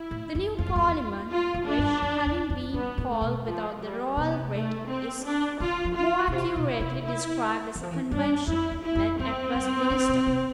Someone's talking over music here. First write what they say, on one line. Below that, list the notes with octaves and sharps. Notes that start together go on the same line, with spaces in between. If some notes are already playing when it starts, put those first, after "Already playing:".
The new Parliament, which, having been called without the royal writ, is more accurately described as a Convention, met at Westminster.
Already playing: E4
A2
F2
F2 F4
G2
F2
E2
F4
F2
D4
G2
F2
E2
F2
G2 B3
A2
A3
B2
F3
G3
C3 B3
A3
C4
D4
D3 F4
F3
F4
B2
C3 F4
B2
E4
C3
E4
E3
F3
E3
G2 D4
F2 E4
E2
E4
F2
F2 C4
G2
A2
B2
C3